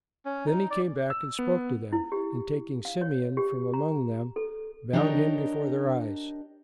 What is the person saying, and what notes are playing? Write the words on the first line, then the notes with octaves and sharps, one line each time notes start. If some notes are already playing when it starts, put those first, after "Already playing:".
Then he came back and spoke to them, and taking Simeon from among them, bound him before their eyes.
C#4
D#4
D5
E6
B3
E4
G4
F5
C#5
G4
A#5
A4
D4 D#4 G4 A#4 C#5 D#5